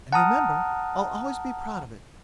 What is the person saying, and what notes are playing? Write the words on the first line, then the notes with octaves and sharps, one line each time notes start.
And remember, I'll always be proud of it.
F#5 A5 A#5 D#6 F6